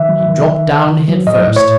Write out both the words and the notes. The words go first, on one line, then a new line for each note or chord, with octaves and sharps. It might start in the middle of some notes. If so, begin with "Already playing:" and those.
He dropped down head first.
Already playing: D#3 E5
F#3
D#3
D#3
D#3
D#3
F#3
A2 D#5
A2
C#5